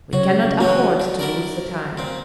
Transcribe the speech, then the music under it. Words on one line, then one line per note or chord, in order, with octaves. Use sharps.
"We cannot afford to lose the time."
C#3 F#3 F#4 C#5
E3 F#3 C#4 F#4
D3
E4 A#4 D5
A#2 C4